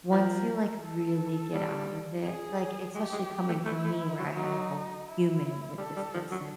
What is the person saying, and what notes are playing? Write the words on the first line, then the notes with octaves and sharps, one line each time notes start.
once you, like, really get out of it, like, especially coming from me, where I had a whole human with this person,
F3 A#4
A4
G3
G#4
G#3 G4
G#3
A3
A3 E4
A3
F#3
F#3 D#4
E4
G3 A4
G3
F3
F#3